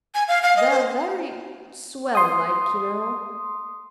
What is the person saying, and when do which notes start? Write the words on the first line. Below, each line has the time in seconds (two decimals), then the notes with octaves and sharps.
"They're very swell-like, you know."
0.15 G#5
0.28 F5
0.42 F5
0.57 D#5
0.71 C5
2.15 C6 D#6